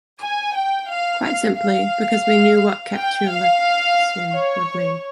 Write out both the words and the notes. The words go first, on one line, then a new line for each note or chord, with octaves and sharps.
Quite simply because we knew what capitulacion would mean.
G#5
G5
F5
F5
F5
G5
F5
C#5